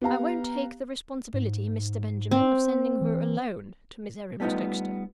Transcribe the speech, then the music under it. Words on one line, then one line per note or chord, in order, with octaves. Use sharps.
"I won't take the responsibility, Mr. Benjamin, of sending her alone to Miserrimus Dexter."
B3 G4 F5 A#5
G#2
C4
E3
G3 A3 B3 D4 D#4 F4